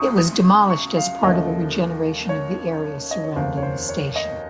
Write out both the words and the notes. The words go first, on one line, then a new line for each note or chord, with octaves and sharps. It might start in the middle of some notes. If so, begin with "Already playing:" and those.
It was demolished as part of a regeneration of the area surrounding the station.
Already playing: C#2 C#6 D#6
D#6
C#6
F5
D#2 C#3 F3 A3 D#5
C#5
D#5
C#5
F1 D#2 C#3 C5
C#5
C5
C#5
D#5